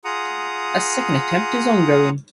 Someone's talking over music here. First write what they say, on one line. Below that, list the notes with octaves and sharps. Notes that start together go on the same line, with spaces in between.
A second attempt is ongoing.
F4 G#4 F#5 A#5 D#6